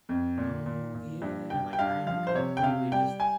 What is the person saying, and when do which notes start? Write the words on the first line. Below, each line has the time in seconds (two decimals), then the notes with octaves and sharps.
"Oh, yeah." Like, I had completely just
0.09 F2
0.38 A#2
0.66 A#2
0.95 A#2
1.22 G2
1.50 G2 G5
1.73 G5
1.79 G2 F5
2.06 F3 F5
2.27 C5
2.35 C3 C#5
2.57 G5
2.63 C3 F5
2.92 G3 G5
3.20 G#5